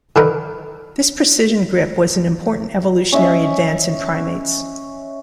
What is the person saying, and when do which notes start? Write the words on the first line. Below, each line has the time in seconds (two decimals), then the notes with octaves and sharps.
This precision grip was an important evolutionary advance in primates.
0.16 D3 D#3 A#4 B4
3.12 C#4 D#5 E5